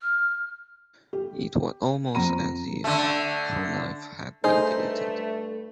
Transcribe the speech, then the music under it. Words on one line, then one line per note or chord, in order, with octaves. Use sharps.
It was almost as if her life had been deleted.
F6
G4
F2 A#5 D#7
D3 A3
G2 A3 D#4 G#4 C5